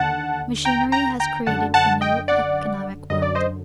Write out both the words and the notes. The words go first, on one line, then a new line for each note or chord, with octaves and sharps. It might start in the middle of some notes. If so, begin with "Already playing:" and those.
Machinery has created a new economic world.
Already playing: D#2 D3 F#5 A5
G5 A#5
G5 A#5
G5 A#5
F#2 D3 F#5 A5
F#5 A5
D#5 G5
D5 F#5
F#2 D3 D#5
D5
C5 D#5